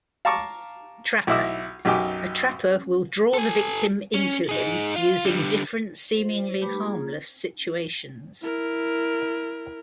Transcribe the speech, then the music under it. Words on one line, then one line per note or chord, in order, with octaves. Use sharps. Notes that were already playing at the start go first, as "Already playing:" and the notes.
Trapper: a trapper will draw the victim into him using different seemingly harmless situations.
F5 A5 A#5 C#6 D6
B1 E4 D#5 E5 D6 E6
B1 F#2 D#4 G4 D6
A4 G#5
C#4
D#4 G#4
F4
D3 G3
C5
G3 A3 G4 B4 B5 D6
A#3 F4 G#4
E4 A#4